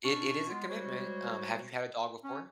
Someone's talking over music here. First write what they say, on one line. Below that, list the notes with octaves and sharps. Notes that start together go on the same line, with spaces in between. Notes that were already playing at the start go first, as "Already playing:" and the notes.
It it is a commitment, um, have you had a dog before?
B2 C#4 D4 C#6
G#3 B3 F4
G3 G#3 F#4 C5 C#5
C#4